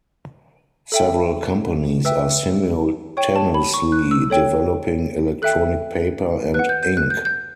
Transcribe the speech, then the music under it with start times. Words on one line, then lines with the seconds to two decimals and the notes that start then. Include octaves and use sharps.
Several companies are simultaneously developing electronic paper and ink.
0.92 A4 E5 G5
2.05 B4 E5 G5 E6
3.17 C#5 G5 C#6
3.36 A5
3.54 B5
3.74 C#6
3.92 F#6
4.11 E6
4.30 A4 C#5 G5
5.42 A4 E5 G5 F#6
6.54 B4 F#5 F#6
6.69 G6
6.83 G6
6.97 F#6
7.10 G6
7.25 G6